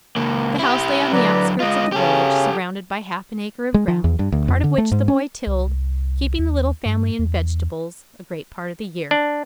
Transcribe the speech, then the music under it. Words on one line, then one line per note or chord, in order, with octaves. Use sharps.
The house lay on the outskirts of the village, surrounded by half an acre of ground, part of which the boy tilled, keeping the little family in vegetables a great part of the year.
C#2 A#3
E4 G4
D3 F#3 B4 D5 A#5
G#3 F4 D#5
C#3 C#4 G4 A4
G#3
F3
E2
G2
D2
F2
D3
A3
G#2
C#4
C2
D#2
G2
E2
D4